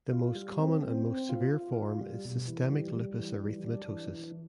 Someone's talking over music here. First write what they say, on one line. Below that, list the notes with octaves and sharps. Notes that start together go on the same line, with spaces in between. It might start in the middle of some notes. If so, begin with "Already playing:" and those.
The most common and most severe form is systemic lupus erythematosus.
F4
G3
C4
C4
C4
F4
F4
F4
G3
B2
E3
G3
G3
E3
G3
D4
E3
E3